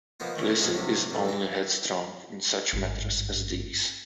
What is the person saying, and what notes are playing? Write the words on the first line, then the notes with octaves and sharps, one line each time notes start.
Lizzy is only headstrong in such matters as these.
F3 A#3 B3 D#4 F4
D#3 E3 C#4
A#1 E2 G#3 F4 A#5
G2 C3 F#3
F#2 A2
E3 A#5
G#1 G2